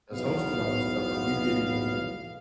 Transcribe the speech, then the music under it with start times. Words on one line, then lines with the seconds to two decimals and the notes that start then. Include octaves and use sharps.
that's hosting all this stuff, like, you get even, like,
0.12 B1 E2 B3 F5